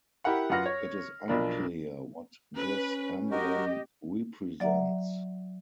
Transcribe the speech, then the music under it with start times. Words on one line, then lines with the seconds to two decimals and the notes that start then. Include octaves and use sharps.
It is unclear what this emblem represents.
0.24 E4 G4 A#4 F#5 B5
0.50 F#2 F4 B4 F#5 F6 A#6
0.66 C#5
1.28 B1 F3 D4 A#4 B5
2.55 C#4 B4
3.31 F#4 G4 A#4 D#5
4.60 F#3 D5 E5 F#5 A#5